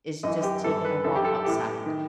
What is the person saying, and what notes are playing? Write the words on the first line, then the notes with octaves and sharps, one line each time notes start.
is just taking a walk outside.
F#2 E3 D#5
G4
G2 E3 A4
B4
F#2 E3 A4
G4
A4
A2 E3 G4
D#3